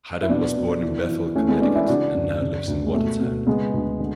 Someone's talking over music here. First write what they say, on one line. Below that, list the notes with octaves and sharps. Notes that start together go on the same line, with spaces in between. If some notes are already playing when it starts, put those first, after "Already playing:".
Haddam was born in Bethel, Connecticut and now lives in Watertown.
E4
B2 B3 D4
B2
E3
E3
E3 A3 C#4
G#3 B3
E3 B3 D4
C#4 E4
C#3 D4 F#4
F#2
C#3
D2
G#3
B2 A3
B2
C#3 G#3 B3
D2
D3